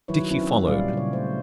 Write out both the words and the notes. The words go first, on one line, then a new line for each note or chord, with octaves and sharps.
Dickie followed.
D#3 F#3 E4 B4 C#5
C4 C#4 E4
A#2 G3 D5 F5
C#3 C#5
A3 C5